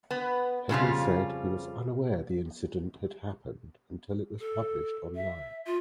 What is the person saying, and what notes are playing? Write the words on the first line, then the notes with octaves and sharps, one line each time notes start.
Henry said he was unaware the incident had happened until it was published online.
B3
F2 C#3 G3 F4
A4
E5
F4